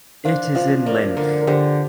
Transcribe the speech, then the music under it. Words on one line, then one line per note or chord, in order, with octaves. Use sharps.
It is in length.
D4 C5 F5
F3 C5 F5
A#3 A#4 D5
D3 A#4 D5
A#4
D3 G4 C5